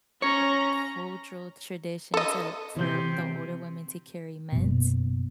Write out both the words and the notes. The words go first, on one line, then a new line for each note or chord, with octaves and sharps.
cultural tradition to for the older women to carry mints.
C#4 C#5 A#5
A4 D#5
C3 E3 C4 G6
F#1 B2